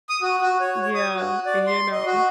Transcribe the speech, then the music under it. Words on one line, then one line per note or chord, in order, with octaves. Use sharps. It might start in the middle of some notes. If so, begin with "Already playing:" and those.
Yeah, and, you know
D#6
F#4
F#4
C#5
C#5
D#6
F#4
D5
C6
D#5
F#4